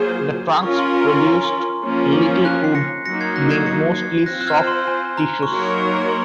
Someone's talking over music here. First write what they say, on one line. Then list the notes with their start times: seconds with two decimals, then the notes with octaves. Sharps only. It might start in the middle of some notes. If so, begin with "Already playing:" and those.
The trunks produced little wood, being mostly soft tissues.
Already playing: F#3 A#3 F4 G#4 C5 G#6 C7
0.63 C#4 F4 A#4 C#6
0.79 C6
0.93 A#5
1.09 C6
1.24 G#5
1.44 C6
1.84 F3 A#3 C#4 F4
2.45 F#6
2.64 C7
2.75 A#6 C#7
3.05 F#3 A#3 D#4 A#6 C#7
3.21 G#6 C7
3.36 F#6 A#6
3.51 G#6 C7
3.66 A#6 C#7
3.96 G#6 C7
4.26 C4 F4 C5 F#6 A#6
4.41 F#6
4.47 F6 G#6
4.67 C6
4.87 G#5
5.17 A#5
5.43 C#6
5.48 F#3 A#3 D#4 A#4 C#5 C6
5.78 C#6
6.09 C6